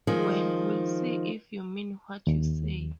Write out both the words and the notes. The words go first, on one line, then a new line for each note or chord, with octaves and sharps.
Well, we'll see if you mean what you say.
D#3 F3 G#3
D#2